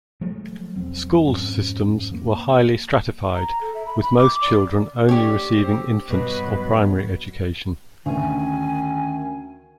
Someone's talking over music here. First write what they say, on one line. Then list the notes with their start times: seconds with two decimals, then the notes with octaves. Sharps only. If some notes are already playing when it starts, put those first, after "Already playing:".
Schools systems were highly stratified, with most children only receiving infants or primary education.
0.21 F3 F#3 G#3 A3
0.75 E1 F#3 C4
1.27 F2 G#2 C4 C#4
2.14 A#3
3.35 A#5
3.61 A4
3.74 E5
3.87 B5
4.02 B5
4.18 D6
4.42 D5
5.09 A3 D4 G4 C#5
5.58 C4
6.09 G2 B2 F#3 B4
8.06 D2 D#3 C#4 G#5